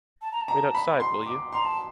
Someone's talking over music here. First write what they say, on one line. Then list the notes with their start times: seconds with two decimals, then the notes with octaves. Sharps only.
Wait outside, will you.
0.22 A5
0.32 A#5
0.41 A5
0.48 A#5
0.75 B5
1.00 C6
1.26 D6
1.52 A#5 C6
1.65 A5